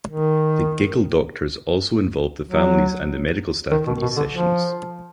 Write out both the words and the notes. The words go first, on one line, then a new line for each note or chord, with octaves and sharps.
The Giggle Doctors also involve the families and the medical staff in these sessions.
D#3
F#3
D#3
B2
B2
D3
F3